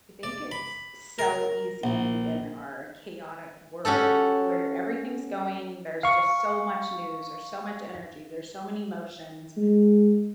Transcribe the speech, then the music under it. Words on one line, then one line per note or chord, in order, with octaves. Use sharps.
I think it's so easy in our chaotic world where everything's going, there's just so much news or so much energy, there's so many emotions
D5
B5
A#4
A#1
C#4 F#4 G4 A4
F5 C#6
G#3